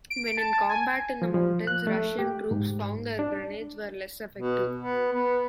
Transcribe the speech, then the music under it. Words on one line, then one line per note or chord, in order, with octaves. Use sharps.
When in combat in the mountains Russian troops found their grenades were less effective.
D7
A5
G#5
F3
F3
F#6
A3
G4
G#2
D4
B2
B3
B3